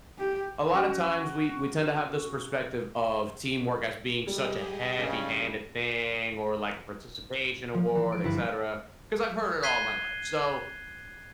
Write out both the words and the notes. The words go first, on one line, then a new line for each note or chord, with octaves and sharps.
A lotta times, we we tend to have this perspective of teamwork as being such a heavy-handed thing or like a participation award, etcetera, 'cause I've heard it all my life. So,
G4
C#4 F#4
G3 G4 G#4 D#5
G2 C#3
F3
E3
D7
G1 E4 B4
F#6 G#6 B6 C7 D#7 G7